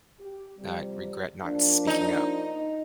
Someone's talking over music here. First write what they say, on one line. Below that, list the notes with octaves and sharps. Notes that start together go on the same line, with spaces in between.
not regret not speaking up.
G4
F2 C3 G3
F3 A#3 D4
D#4